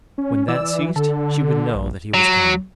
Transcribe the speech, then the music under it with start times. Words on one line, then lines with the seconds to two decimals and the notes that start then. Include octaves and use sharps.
When that ceased she would know that he was come.
0.18 C#4
0.48 E3 D5 E6
0.96 D3 A4
1.75 A#1
2.14 F#3